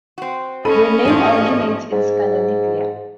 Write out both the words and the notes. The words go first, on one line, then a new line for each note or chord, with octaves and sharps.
The name originates in Scandinavia.
C4 F#4
C#4 A4 D#5 B5 D#7
A1 G#2 F3 D4 G#4
G#2